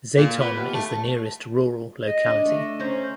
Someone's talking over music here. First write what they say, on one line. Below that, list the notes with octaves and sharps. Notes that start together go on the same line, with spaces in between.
Zaton is the nearest rural locality.
A#2
B3
D#2
A3
D#5
D4
A3
C#4 C5 A#5